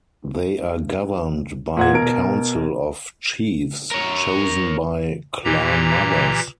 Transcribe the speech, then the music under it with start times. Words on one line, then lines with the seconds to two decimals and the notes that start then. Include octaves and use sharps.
They are governed by a council of chiefs, chosen by clanmothers.
1.77 A#2 F#5 G#6
1.93 B2 A#4 D7
3.91 A#4 C#5
5.44 A#2 E3 G4 A#5